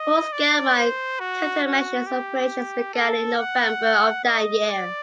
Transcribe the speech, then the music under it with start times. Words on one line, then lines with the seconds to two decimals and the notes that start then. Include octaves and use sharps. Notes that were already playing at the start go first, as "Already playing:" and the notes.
Full scale mine countermeasures operations began in November of that year.
Already playing: D#5
0.33 D5
0.77 C5
1.20 F#4
1.64 F#4
2.07 G4
2.94 A4
3.38 F#5
4.25 D#5
4.69 D5